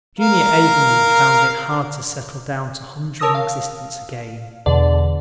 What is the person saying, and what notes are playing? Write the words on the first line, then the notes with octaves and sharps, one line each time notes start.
Junior Avonlea found it hard to settle down to humdrum existence again.
A#4 F5
A#4 C#5 A5 D#6 E6 A#6
F5
E2 B2 D3 D5